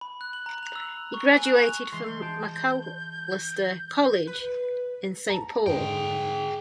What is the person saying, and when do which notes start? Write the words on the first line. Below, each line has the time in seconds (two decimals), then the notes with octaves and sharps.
He graduated from Macalester College in Saint Paul.
0.01 B5
0.21 F#6
0.33 F#7
0.46 A#5
0.63 F7
0.76 E6
1.14 C#6
1.29 G#5
1.45 F#6
1.63 F7
1.92 E3 G#3 C6
2.22 A5 C6 G6 D7
4.27 B4
5.29 A5 A#5
5.67 G#2 D3 G#4 G5